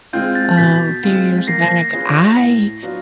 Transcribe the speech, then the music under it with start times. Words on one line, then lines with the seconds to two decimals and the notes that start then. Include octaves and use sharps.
uh, few years back, I
0.13 G#3 C4 F4 G6
0.35 G6 A6
0.57 B2 A6 B6
1.03 G#3 C4 F4
1.47 A#3 A#6 C7
1.93 C#4 F4 G#4 B4
2.37 A2
2.83 F#3 B3 D4 F4